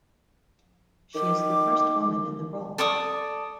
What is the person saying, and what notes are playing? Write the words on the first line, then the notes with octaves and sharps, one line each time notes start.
She is the first woman in the role.
D#3 D6
A4 D5 C#6 D#6